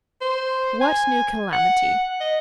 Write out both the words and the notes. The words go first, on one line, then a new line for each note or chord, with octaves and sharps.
"What new calamity?"
C5
G#5
F#5
D#5